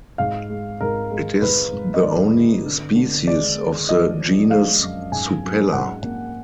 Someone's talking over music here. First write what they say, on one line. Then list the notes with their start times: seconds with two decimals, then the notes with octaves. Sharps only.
It is the only species of the genus Supella.
0.18 G#2 F5
0.49 G#3
0.81 G#2 A#4
1.11 G#3
1.42 G#2 B4
1.72 G#2
1.94 D#5
2.03 D#3 D5
2.34 G#2
2.65 D3
2.96 D3
3.27 G#3 D5
3.58 G#3
3.88 F3 D#5
4.20 F3
4.50 G#3 F5
4.80 F#2
5.12 G#2 G#5
5.42 F#3
5.73 G#2 F#5
6.04 A#3